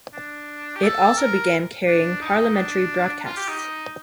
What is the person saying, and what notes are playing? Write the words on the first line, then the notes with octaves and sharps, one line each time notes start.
It also began carrying parliamentary broadcasts.
D4
G4
A4
A#4
D4
D#4
D4
F4
G4
D#4